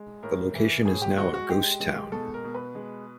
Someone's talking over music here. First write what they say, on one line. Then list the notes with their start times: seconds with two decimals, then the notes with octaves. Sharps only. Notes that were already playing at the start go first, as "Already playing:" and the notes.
The location is now a ghost town.
Already playing: G#3
0.23 A2 A#4
0.55 E3
0.85 A2 G#4
1.02 G4
1.18 G#3 F#4
1.34 F#4
1.49 G#3 G4
1.80 G#3
2.12 B2 A4
2.34 A#4
2.44 B2
2.55 B4
2.75 G#3